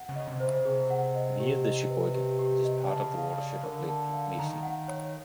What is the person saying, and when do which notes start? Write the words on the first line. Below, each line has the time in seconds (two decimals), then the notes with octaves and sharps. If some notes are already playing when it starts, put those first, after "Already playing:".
Via the Sheboygan, it is part of the watershed of Lake Michigan.
Already playing: F#5
0.09 C#3
0.15 D#5
0.27 C3
0.40 C5
0.47 C#3
0.65 C3 G#4
0.90 F#5
1.15 D#5
1.40 G4
1.65 D#5
1.90 B4
2.15 G4
2.39 G4
2.65 D#5
2.89 C#3 A5
3.14 F5
3.40 D5
3.64 D3 A#4
3.89 A5
4.13 F5
4.39 D#3 A#5
4.63 F#5
4.88 C#5